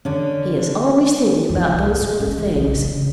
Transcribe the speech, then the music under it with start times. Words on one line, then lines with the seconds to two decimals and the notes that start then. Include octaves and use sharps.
He is always thinking about those sort of things.
0.05 D3 C#4
1.49 F2
1.64 C2
1.83 D#2
1.97 A2
2.20 C#4
2.38 E3
2.55 B1
2.75 C#3
2.92 C#3